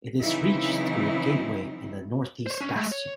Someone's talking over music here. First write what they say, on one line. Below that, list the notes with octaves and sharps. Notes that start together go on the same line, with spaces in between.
It is reached through a gateway in the north-east bastion.
C#3 E3 F#3 C4 D#4 E4
C5 C#5
C#4 D4
G#3 A3
C#5